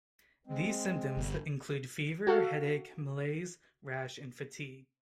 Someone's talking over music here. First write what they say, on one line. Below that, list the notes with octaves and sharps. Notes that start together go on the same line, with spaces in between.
These symptoms include fever, headache, malaise, rash and fatigue.
G#3 C4
G1
F#4 A4 F5